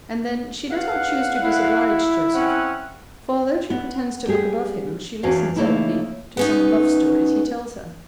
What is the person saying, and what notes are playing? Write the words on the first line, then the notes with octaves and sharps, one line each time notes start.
And then she does not choose to disoblige Joseph; for although she pretends to look above him, she listens, I believe, to some love-stories he tells her.
E2 F5 F#5
E4
C4 C#4 F#5
B3
G3 G4 G#4
E2 C#4 D4 F#4 F5
C#3 F3 A3 A#3 D#4 E4
B3 C#4 D#4